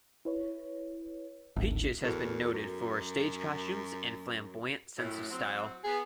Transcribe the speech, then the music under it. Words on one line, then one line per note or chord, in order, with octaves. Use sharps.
Peaches has been noted for her stage costumes and flamboyant sense of style.
E4 B4 C#5
D1 G#1
E2 F#4 A4 A#4
F#2
F#2 A2
F#3 C4
B3 G#4